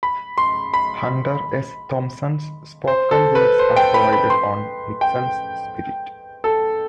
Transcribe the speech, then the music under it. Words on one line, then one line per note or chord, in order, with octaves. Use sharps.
Hunter S. Thompson's spoken words are provided on "Nixon's Spirit".
B5
C6
B5
C5
A4
B4
C5
G5
B5
B5
C6
G5
A4